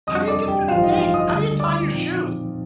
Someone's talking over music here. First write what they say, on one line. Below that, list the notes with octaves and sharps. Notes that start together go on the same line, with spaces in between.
“How do you get through the day? How do you tie your shoes?”
F2 C3 G3 D4 D#5 D#6
D5 D6
G4 G5
A1 G2 F3 F4 F5
D#4 D#5
F4 F5
D#5 D#6
D2 D3 G3 D#5 D#6
D5 D6
A#2 F3 C4 D#4